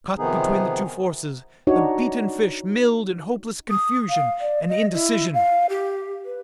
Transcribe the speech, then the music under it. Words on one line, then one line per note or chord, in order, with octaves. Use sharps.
Caught between the two forces, the beaten fish milled in hopeless confusion and indecision.
C3 D#3 F3 B3 D#4 G#4
D4 D#4 F#4 C#5
D#6
F5
D5
D#5
E4
F5
G4
B4